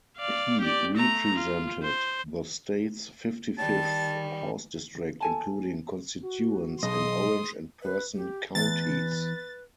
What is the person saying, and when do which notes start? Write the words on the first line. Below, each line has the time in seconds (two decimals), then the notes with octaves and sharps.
He represented the state's fifty-fifth House district, including constituents in Orange and Person counties.
0.17 D5 F5
0.61 G4 D5
0.95 A3 A#5
1.35 F4
1.83 C5
3.59 D#3 G3 A5
5.20 A4 G#5 A5
6.23 F#4
6.83 B1 G#4 D#5 C6 D#6
7.82 B4
8.15 G4
8.55 E2 B4 A6